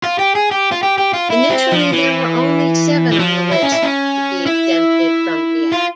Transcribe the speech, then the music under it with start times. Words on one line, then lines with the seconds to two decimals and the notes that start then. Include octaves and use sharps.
Initially there were only seven on the list to be exempted from the act.
0.04 F4
0.19 G4
0.35 G#4
0.51 G4
0.72 F4
0.83 G4
0.98 G4
1.13 F4
1.30 E4
1.50 C4
1.72 F3
1.93 E3
3.12 E3
3.19 F3
3.52 E4
3.63 C#4
3.72 E4
3.83 C#4
4.46 E4
5.73 F4